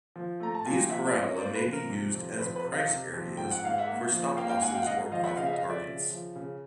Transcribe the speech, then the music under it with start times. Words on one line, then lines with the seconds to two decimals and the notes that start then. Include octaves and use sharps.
These parabola may be used as price areas for stop losses or profit targets.
0.16 F3
0.40 A3 A#5
0.55 A5
0.65 A#2 G#5
0.78 G5
0.89 F3 E5 F#5
1.06 D5 E5
1.14 C4
1.22 C#5 D#5
1.39 A#3 C5 D5
1.55 B4
1.64 F2
1.72 A#4
1.89 C3
2.14 F2
2.39 F2 B4
2.56 B4
2.64 C3
2.72 D#5 F5
2.88 C3
3.14 F2
3.37 G#2 G5
3.51 F#5
3.63 G#2 F5
3.78 E5 F#5
3.87 A#3
4.13 F3
4.37 A#3 F5 G5
4.49 F5 G5
4.62 G#2 F#5 G#5
4.74 F5 G5
4.83 F#5
4.86 G#2 D#5 F5
5.12 F3 D#5 F5
5.24 E5 F#5
5.36 C#3 D#5 F5
5.46 E5
5.53 D#5 F5
5.61 F3
5.69 D5 E5
5.87 C#3
6.10 F3
6.35 C#3